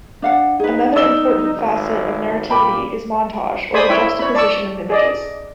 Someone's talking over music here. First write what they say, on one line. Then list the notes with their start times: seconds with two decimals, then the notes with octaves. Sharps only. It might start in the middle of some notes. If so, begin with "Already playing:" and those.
Another important facet of narrativity is montage, or the juxtaposition of images.
0.22 D4 F5 F#5
0.60 D#4 G#4 B4
0.96 D5 D#5 E6 E7 G7
1.55 G#1
2.50 A#2 G5 B5 D6
3.74 G#4 C5 D5 G#5 B5 D#6
3.89 E4 C#5 E5 G5 B5
4.19 C#5 B5
4.35 D5 A5 C#6 E6
4.90 G#4 D5 D#5